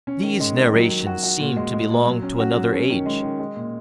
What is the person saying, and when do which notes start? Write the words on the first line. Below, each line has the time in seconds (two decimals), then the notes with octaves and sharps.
These narrations seemed to belong to another age.
0.07 C#4
0.23 D#3
0.40 G#3
0.56 D#3
0.74 F#3
0.90 F#3
1.07 F#4
1.23 F#4
1.40 A#2
1.56 G#3
1.73 G#3
1.90 A#2
2.06 F#3
2.23 C#4
2.40 F#4
2.56 F#3
2.73 C#4
2.90 D#3
3.06 G#3
3.23 D#3
3.39 G#3
3.56 A#2